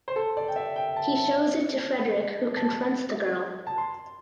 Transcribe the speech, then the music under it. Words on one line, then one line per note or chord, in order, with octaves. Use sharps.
He shows it to Frederic who confronts the girl.
C5
A4
D5
G5
E5
G5
A5
A5
A5
A5
C6